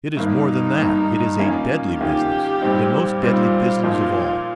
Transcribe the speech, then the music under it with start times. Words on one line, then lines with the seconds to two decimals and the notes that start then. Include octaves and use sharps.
It is more than that; it is a deadly business, the most deadly business of all.
0.17 G2 D#3 A#3 D#4
0.78 G2 D#3 A#3
1.39 D#3 A#3 C#4 F4
2.00 D#3 A#3 C#4 F4 G4
2.61 A#2 G3 C4 D#4
3.22 A#2 G3 C4 D#4 F4
3.83 A#2 F3 A#3 D#4 F4